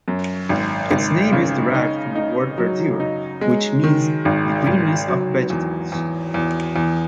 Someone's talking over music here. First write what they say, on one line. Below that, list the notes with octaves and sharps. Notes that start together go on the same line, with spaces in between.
Its name is derived from the word "verdure", which means the greenness of vegetables.
F#2
G#1
G#1
C#3
D#4
D#4
F#3
D#4
G#3
D#3
G#1
G#1
F#3
E2
E2
E2
E2